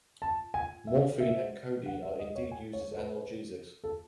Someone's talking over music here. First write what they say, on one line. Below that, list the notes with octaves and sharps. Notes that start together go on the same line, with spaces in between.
Morphine and codeine are indeed used as analgesics.
A5
G#5
E5
E5
F#5
E5
D#5
C#5
G#5
C#5
A4
B4
A4